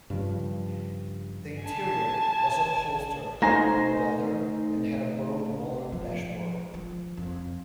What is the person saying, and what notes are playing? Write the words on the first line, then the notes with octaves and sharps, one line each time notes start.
The interior was upholstered in leather and had a burled walnut dashboard.
G2 C#3 F3
G#5 A5
A3 D#4 C5 G#5 A#5 A#6
F3
F3
F2